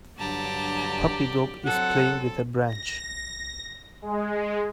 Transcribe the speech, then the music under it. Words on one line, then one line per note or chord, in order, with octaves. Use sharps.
A puppy dog is playing with a branch.
G2 D3 F#3 G4 D5 A5 A#5
F#3 C4 A4 F#5
A#6
G#3